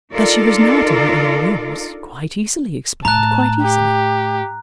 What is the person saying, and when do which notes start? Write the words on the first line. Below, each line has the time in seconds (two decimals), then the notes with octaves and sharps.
That she was not in her own room was quite easily explained--quite easily.
0.14 D4 D#4 F4 A4 A#4 D5
3.05 A2 A5 A#5 F#6
3.62 G4